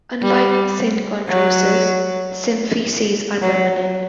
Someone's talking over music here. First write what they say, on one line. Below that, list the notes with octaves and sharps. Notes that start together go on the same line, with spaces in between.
Unlike synchondroses, symphyses are permanent.
G3
F#3
F#3